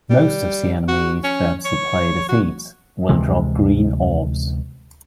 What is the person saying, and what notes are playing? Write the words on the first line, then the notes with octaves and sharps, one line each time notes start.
Most of the enemies that the player defeats will drop green orbs.
G3
F#4
C#4
C#5
F#4
D2 C3 E3 G#3